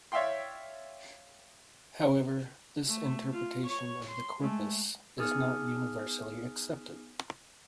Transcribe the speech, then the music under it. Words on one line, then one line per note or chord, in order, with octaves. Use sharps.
However, this interpretation of the corpus is not universally accepted.
C#5 D5 E5 F5 G5 C6
A3
F4
C#5 C#6
C6
G#3 A3
B3 D#4 G#4 D#6 F6